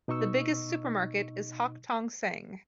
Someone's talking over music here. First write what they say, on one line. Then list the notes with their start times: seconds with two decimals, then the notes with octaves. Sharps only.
The biggest supermarket is Hock Tong Seng.
0.08 B2 D#4 D#5 C#6 E6